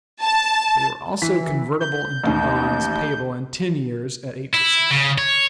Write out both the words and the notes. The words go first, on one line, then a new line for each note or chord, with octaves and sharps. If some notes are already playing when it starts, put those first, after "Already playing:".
They were also convertible into bonds payable in ten years at eight per cent. interest.
A5
E3 B6
G6
A1 D#2
E4
C#3
C#5